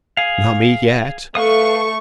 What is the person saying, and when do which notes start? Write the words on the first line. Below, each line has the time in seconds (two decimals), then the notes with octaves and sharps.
Not me, yet.
0.17 G#4 F5
1.35 A3 B4 F5 C#6 D#6